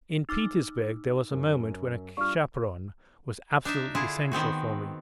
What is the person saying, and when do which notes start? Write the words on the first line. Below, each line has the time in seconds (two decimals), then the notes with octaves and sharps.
In Petersburg there was a moment when a chaperon was absolutely essential for me.
0.29 D#4 D6 E6 F6
1.31 F#2
2.17 G3 D4 F4 C#6 F6
3.65 D4 D#4 E5
3.95 D3 E4 F4 G#4
4.32 D#3 B3 C4 F#4